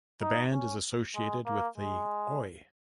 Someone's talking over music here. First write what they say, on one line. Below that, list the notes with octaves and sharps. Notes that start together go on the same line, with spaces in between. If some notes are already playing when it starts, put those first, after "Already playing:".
The band is associated with the Oi!
D#4
C#4
G#3
A#3
G#3